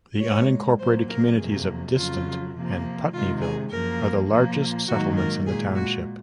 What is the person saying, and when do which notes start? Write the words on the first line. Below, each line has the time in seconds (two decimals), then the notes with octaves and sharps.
The unincorporated communities of Distant and Putneyville are the largest settlements in the township.
0.21 A#2 G#3 C#5
0.79 A#2 F#3 A#3 C5
1.09 A#4
1.37 F2 C3 F#3 A#3 G#4
1.96 F2 C#3 F#3 F4
2.54 C3 F3 A#3
3.12 C3 D#3 G#3 F4
3.41 G#4
3.71 F#2 F3 A#3 A#4
4.29 A#2 F3 A#3
4.88 G#2 D#3 F#3 A#3 F#4
5.16 A#4
5.46 A#2 G#3 G#4
5.75 F#4